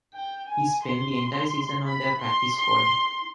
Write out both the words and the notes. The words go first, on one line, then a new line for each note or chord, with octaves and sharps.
He spent the entire season on their practice squad.
G5
G#5
C6
B5
C6
C6